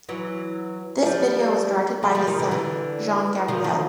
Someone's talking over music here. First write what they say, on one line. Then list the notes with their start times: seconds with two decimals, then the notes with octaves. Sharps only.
This video was directed by his son Jean Gabriel.
0.09 E3 F#3
1.06 F3 G3
2.03 F#3 G#3
2.15 F3 G3
2.27 D#3 F3
2.39 D3 E3
2.51 D3 E3
3.48 D#3 F3
3.64 D#3 F3